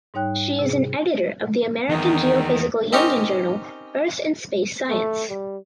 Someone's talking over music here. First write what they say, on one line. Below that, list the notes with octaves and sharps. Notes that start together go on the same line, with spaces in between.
She is an Editor of the American Geophysical Union journal "Earth and Space Science".
G#2 G3 D#4 C#5 G5 F#6
C3 G#4
E2 D#3
C4 C#4 D#4 G4 A#4 C#5
A3
G3